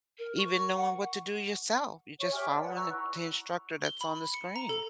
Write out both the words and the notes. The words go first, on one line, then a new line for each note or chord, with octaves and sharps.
even knowing what to do yourself. You're just following the t instructor that's on the screen.
A#4
C#6
F#5
C#5 E5 C#6
G4 E5 G#5 F6
D5 A5
B4 F#5
A#5 C#6 E6 F#6
E4
G7
B5
C#7
A#5
A4